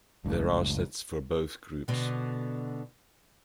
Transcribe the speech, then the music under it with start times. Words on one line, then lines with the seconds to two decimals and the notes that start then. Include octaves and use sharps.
There are sets for both groups.
0.25 F#1 C#2 A2
1.88 B2 D3